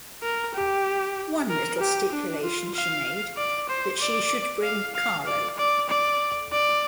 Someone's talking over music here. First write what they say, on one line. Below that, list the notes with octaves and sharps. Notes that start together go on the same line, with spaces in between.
One little stipulation she made, that she should bring Carlo.
A#4
G4
A#4
G4
D4
F4
F5
D5
C5
D5
F5
F5
D5
D5
D5
D5